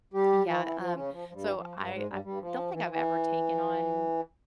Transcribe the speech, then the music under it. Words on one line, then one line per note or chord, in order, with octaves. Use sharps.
Yeah. Um, so I, uh, don't think I've ever taken on,
G3 G4
F3 F4
E3 E4
F3 F4
C#3 C#4
F3
F3
G2 G3
E3
F3
G2 G3
G3
G#2 G#3
G2 G3
G2 G3
F3
E3
F3
E3